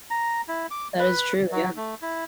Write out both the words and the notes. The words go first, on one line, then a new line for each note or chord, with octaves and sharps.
That is true, yeah.
A#5
E4
D6
B4
F#3
A3
E4